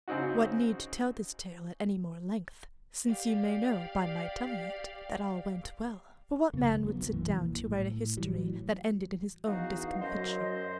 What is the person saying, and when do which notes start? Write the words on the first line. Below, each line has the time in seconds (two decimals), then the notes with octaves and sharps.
What need to tell this tale at any more length, since you may know, by my telling it, that all went well? for what man would sit down to write a history that ended in his own discomfiture?
0.08 C#3 C4 D#4 F#4
3.06 G4 D5 F5
6.53 F#2 C#3 A#3
6.84 D3 F#3 B3
6.98 B1 F#2
7.13 B1 A#2 E3 A#3
7.66 A2
8.17 A2 E3 F#3 G3
9.46 E2 D#4 F#4 F5
10.01 F#2 C5 D#5 C6